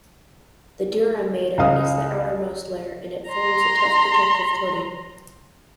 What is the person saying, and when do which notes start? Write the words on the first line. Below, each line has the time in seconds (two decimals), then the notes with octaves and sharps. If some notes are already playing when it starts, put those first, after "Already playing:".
The dura mater is the outermost layer, and it forms a tough protective coating.
1.58 C#2 D#5 F5 D#6
3.29 A#5 C6